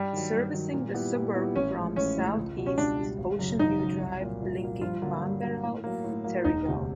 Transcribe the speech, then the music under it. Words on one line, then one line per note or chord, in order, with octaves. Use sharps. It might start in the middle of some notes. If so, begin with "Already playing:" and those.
Servicing the suburb from the south-east is Ocean View Drive, linking Wamberal to Terrigal.
Already playing: G2 G3
D#3 F#3
G2
D#3 F#3
A#2
G3 B3 E4 G4
A#2
G3 B3 E4 G4
A1 C#4
A2 F3 G#3
A1 C#4
A2 F3 G#3
C#2
B2 G3
C#4
C#2 D4
B2 G3
G#1
F#2 C#3 F#3
G#1 D#4
F#2 C#3 F#3
C2
A#2 F#3 A#3
C2
A#2 F#3 A#3
G2 F4
D3 F#3 A#3
G2
D3 F#3 A#3
A2
F#3 A#3
A2
F#3 A#3
E1 D#4
D2 C3